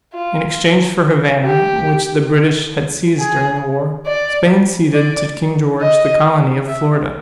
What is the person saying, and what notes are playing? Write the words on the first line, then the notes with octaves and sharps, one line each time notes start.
In exchange for Havana, which the British had seized during the war, Spain ceded to King George the colony of Florida.
F4
G4
G#4
D5
D5
D#5
E5